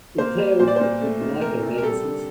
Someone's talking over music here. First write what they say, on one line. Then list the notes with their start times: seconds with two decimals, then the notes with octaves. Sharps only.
They are equipped with Leica lenses.
0.18 A#3 C5
0.39 G3
0.59 A#2 C5
0.68 D5
0.76 A#2 C5
1.01 A3
1.21 D#3
1.41 C3 A#4
1.63 C3
1.78 A#4
1.83 G3 A4
2.04 D3